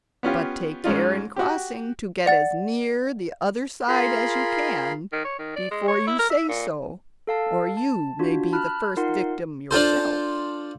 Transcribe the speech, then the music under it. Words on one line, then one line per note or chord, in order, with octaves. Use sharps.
But take care, in crossing, to get as near the other side as you can before you say so, or you may be the first victim yourself.'
B3 C#4 F4 G4
G#2 G#3 C#4 D#4 F4
F#4 G4
D5 F#5 A6
F4 G#4 A#4 B5 C6
D#3
C#5
D#3
D5
G#3
C#5
E4
A#4
E5
A#2
A4 F5 A5
A5
D4 F4 F#4
A5 B5 F6 F#6
D#4 F4 A#4 F#5 C6
D4 F4 A4 C5